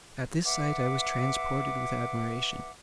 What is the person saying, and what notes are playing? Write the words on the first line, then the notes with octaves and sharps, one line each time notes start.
At this sight I was transported with admiration.
B4 E5 F#5 D6